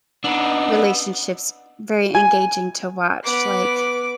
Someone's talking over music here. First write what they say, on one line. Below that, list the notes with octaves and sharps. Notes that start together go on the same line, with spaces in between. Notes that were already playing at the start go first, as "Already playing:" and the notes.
relationships very engaging to watch, like
B3 D4 D#4 E6
G#5
B3 D6